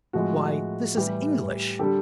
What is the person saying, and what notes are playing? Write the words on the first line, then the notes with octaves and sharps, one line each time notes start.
"Why, this is English!"
A2 F3 G#3 F#4
A2 E3 G3 G4
D3 G3 G4 A4